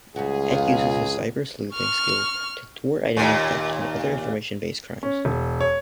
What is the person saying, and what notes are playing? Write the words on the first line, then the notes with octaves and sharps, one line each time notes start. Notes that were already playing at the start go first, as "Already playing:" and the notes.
Ed uses his cyber sleuthing skills to thwart identity theft and other information-based crimes.
C#2 G3 F#4 G#4
F2 F4
C#6 F6
D#2 A#2
C#4
E1
C#5